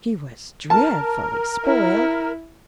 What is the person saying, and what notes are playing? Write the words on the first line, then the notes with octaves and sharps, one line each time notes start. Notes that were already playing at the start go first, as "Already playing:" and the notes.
She was dreadfully spoiled.
A#4 A5
E4